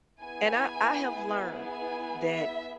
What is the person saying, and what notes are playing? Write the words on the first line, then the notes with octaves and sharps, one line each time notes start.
And I I have learned that
B3 E4 G#4 G#5
G#5
E5